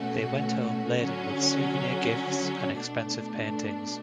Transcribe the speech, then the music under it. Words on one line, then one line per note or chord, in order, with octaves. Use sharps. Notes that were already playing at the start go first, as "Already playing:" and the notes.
They went home laden with souvenir gifts and expensive paintings.
Already playing: B2 A3 C#4 F#4
D3 F#3 C#4 F#4
B2 A3 D4